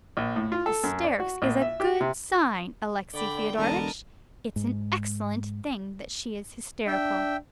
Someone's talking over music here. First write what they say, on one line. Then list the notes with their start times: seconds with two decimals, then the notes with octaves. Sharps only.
Hysterics is a good sign, Alexey Fyodorovitch; it's an excellent thing that she is hysterical.
0.17 A#1
0.36 A2
0.52 F4
0.66 A4
0.83 F#2
1.04 D5
1.20 F#4
1.42 A#1
1.62 E5
1.80 G4
2.01 C3
3.14 D3 D5 G5 B5
3.57 E1 D3 A#4 B4 D#5 A5
4.56 G#2
6.87 D4 E5 G5